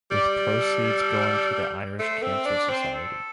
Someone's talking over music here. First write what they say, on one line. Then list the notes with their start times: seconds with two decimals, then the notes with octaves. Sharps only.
With proceeds going to The Irish Cancer Society.
0.11 G3 D5
0.58 A4
0.82 A4
1.99 A3 C5
2.22 C4 E5
2.46 D4 D5
2.70 C4 C5
2.93 A4